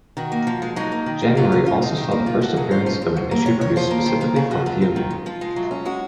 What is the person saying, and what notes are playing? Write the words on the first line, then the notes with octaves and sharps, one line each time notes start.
January also saw the first appearance of an issue produced specifically for Fiume.
D#3 F#4
A#3
F3
G#3
F#3 D#4
A#3
D#3
A#3
F#3 F4
C#4
F3 F4
C4 D#4
D#3
A#3
C3 F4
F3 F#4
F#3 G#4
C#4 C5
F3 C5
C4
F#3
A#3
C3 C#5
D#3 C#5
F3 C5
A#3
D#3
A#3
C#3 G#4
F3 F#4
F#3 F4
C4
D#3
G#3
F3 F4
G#3
F#3
C#4
G#3 F#4